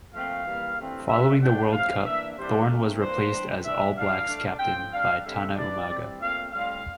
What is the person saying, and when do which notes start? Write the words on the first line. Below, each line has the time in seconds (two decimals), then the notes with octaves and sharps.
Following the World Cup, Thorne was replaced as All Blacks captain by Tana Umaga.
0.13 A#2 F3 A3 C4 F5
0.44 E3 G3 A#3
0.77 G2 E3 A3 C4
1.08 G2 D3 G3 E5
1.40 D3 A3 D4 G5
1.72 A2 E3 G3 C4 F5
2.04 E3 A#3 D4 E5
2.36 C3 E3 G3 A#3 D4 C5
2.69 A#2 A3 C4 A#4
3.00 E3 A#3 D4 C5
3.32 G2 E3 G3 D4
3.64 E3 G3 D4 E5
3.96 G2 E3 G3 D4 F5
4.28 D3 A3 D4
4.59 A2 F3 C4 G5
4.92 C3 G3 D4 F5
5.24 G2 D3 G3 C4 E5
5.55 G2 E3 G3 D4 D5
5.87 E3 G3 C4
6.19 A#2 A3 C4 F5
6.51 A2 G3 C4 F5